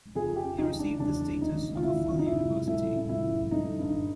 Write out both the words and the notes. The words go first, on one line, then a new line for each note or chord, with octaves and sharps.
He received the status of a full university.
F2 G#4
G4
C#3
D#4
E3
D4
E1 D4
D2
D#4
C#3
F4
G1 E4
F2
D#4
E4
C3
A3 E4
C#3
E4
E3
A3 D#4
G2